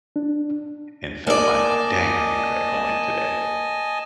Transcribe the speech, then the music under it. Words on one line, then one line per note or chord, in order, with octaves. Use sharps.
and felt like, "Dang, I regret going today."
D4
A#3 D5 D#5 G#5 A5